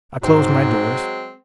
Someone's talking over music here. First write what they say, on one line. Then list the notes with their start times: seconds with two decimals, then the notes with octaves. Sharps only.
I closed my doors.
0.22 G#2 F#3 G#3 C4